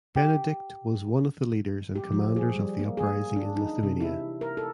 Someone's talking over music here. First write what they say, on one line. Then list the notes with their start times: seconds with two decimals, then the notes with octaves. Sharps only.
Benedykt was one of the leaders and commanders of the uprising in Lithuania.
0.16 G4
1.95 G4
2.12 F3
2.36 G#4
2.56 G3
2.79 A#3
2.97 G#4
3.36 D4
3.56 D#4
3.83 C3
4.00 E4
4.41 A#4
4.57 A4